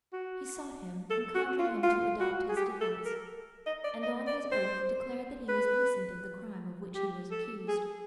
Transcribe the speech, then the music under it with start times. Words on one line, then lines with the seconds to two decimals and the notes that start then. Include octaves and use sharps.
He sought him, and conjured him to adopt his defence, and on his oath declared that he was innocent of the crime of which he was accused.
0.13 F#4
1.10 A4
1.35 F#4
1.59 F4
1.83 F4
2.20 F#4
2.49 G#4
2.56 G4
2.81 A4
3.05 A#4
3.66 D#5
3.84 D5
4.03 D#5
4.27 D5
4.52 C5
5.49 B4
6.95 G4
7.31 A4
7.68 G#4